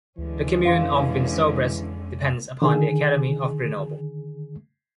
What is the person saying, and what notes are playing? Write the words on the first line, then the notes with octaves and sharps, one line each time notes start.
The commune of Vinsobres depends upon the academy of Grenoble.
D2 D3 E3 G#3 C#4
F2 F5 C6
D3 D#3 G#4